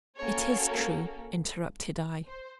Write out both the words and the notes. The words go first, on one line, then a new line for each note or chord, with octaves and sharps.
'It is true,' interrupted I.
A#3 C#4 F#4 A4 C#5
C5